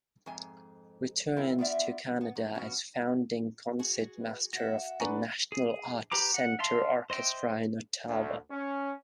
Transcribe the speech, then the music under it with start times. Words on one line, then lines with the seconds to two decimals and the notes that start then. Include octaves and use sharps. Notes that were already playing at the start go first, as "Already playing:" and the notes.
Returned to Canada as founding Concertmaster of the National Arts Centre Orchestra in Ottawa.
0.26 F2 G#2 G#5
1.36 C4 E4 A#4
1.58 B3 F4 D5 E5
2.21 B3
2.35 E2
2.54 B2 F3 B3 C#4 F#4
3.79 F#4 G#4
4.16 B4
4.53 F#4 E5 F#5 A#6
5.00 D4 B4 G#5 A#5 C#6
5.52 G#4
6.12 G4 B4 A#5 D6
6.34 F#5
6.59 E5 F5 A5 C6
7.10 C5 D#5 E5 G5
8.07 D2
8.50 C#4